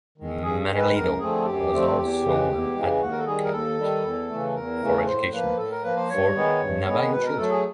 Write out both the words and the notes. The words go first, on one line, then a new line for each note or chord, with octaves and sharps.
Manuelito was also an advocate for education for Navajo children.
D#3 G#3
G2 G#4
D#3 G#3
B4
F#2 A#4
D3 F3 A3 C4 G#4
F#2 G4
D3 F3 A3 C4
E2 G4
C#3 E3 G#3
E2
C#3 E3 G#3
D#2 F#4
A#4
A4
D#3 G3 G#4
A#4
D#2 A4
D#3 G3
E2
C#3 E3 A3
E2 A#4
C#3 E3 A3
A2 C5
F3 A#3 B4
A2 A4
A#4
F3 A#3 B4
C5
G2 C#5
D#3 G#3 B3
G2
D#3 G#3 B3
B2 B4
A#4
F#3 A3 A4
G#4